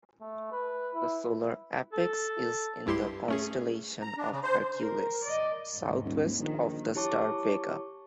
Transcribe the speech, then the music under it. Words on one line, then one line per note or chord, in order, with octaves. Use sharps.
The solar apex is in the constellation of Hercules, southwest of the star Vega.
A3
B4
E4
A4
C2 G2 E4 G4 C6 C7
A3 C#4 G#4
A#5
D4
C#3
C5
A#4
D5 D#5
D#2 G#2
D#1
A#1 D#3
E4 G4 C#5 A5 C#6 D6